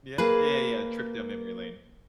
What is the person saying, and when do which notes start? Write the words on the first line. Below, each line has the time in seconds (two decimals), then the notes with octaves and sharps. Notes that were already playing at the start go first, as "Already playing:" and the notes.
Yeah, yeah, yeah, yeah, a trip down memory lane.
0.18 A#3 G#4 B4